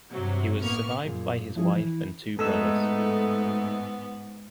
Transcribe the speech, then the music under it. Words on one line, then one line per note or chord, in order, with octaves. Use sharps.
He was survived by his wife and two brothers.
G2 C3 F#3
A1 A#3 B3 C#6 F6
F#2 A#2 G#4
F3 C#4 E4 F#4 G#4
E3
G#2 G#3 A3 B3 D#4 A4 E6